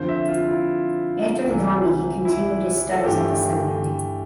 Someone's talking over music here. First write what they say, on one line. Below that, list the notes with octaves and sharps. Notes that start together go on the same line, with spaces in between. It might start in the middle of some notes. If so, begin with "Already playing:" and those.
After the army he continued his studies at the seminary.
Already playing: F2 D3 F3 C5
E5
F4
F4
E4
C2 C3 E3
E4
A4
G2 E3 A3 G4